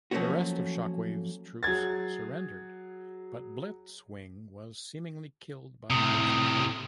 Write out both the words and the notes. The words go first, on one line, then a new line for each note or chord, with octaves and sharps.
The rest of Shockwave's troops surrendered, but Blitzwing was seemingly killed by Razorclaw.
F3 F#3 A3 A#3 C#4 F#4
F#3 G#4 G#6 A6
A2 C3 D#6